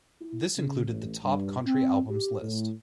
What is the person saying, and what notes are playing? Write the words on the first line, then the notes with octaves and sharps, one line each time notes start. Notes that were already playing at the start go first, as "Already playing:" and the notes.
This included the Top Country Albums list.
E4
C#3
A1
G2
C4
G4
A2